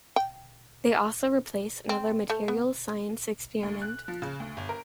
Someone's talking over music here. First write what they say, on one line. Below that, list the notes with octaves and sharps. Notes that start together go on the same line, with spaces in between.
They also replaced another materials science experiment.
G5
C4
A3
B3
D2
F#6
F3
C#3
D2
G1
A#4